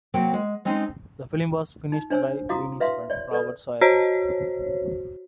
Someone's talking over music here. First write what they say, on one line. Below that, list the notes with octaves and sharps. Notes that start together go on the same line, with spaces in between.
The film was finished by Wiene's friend Robert Siodmak.
C3 F#3 A#3 C4 G5
G#3
G#3 C4 C#4 D#4
D#4
D4 C5 C#5 G#5 E6
E4 F#4 F5 A#5 D6 D#6
B4 E5 F5 C6
C#5 D5
A4 B4 D5
F#4 C5 C#5